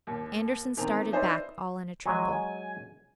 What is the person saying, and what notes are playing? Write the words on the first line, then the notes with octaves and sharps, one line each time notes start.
Andersen started back all in a tremble.
D#2
E2 D#3 C4 F7
D#4 B4 C5 D5 E5
F#3 G#3 G#5